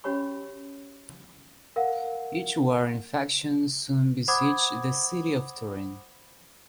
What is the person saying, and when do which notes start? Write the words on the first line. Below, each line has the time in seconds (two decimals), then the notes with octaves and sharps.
Each warring faction soon besieged the city of Turin.
0.04 C#4 F#4 G4 C#5 B5 C#6
1.76 A#4 F5 F#5
4.28 C5 F#5 B5 D6 D#6 G#6